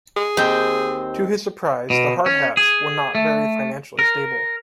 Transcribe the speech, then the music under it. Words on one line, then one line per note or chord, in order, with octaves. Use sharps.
To his surprise, the "Hardhats" were not very financially stable.
G#4
D#2 C4 G5
B2
C#4
G#4
A3
A#4